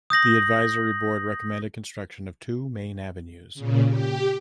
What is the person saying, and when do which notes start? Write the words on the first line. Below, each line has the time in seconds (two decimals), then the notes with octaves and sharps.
The Advisory Board recommended construction of two "Main Avenues".
0.10 D#6 G6 A#6 F#7
3.55 A#2 C#3
3.88 G4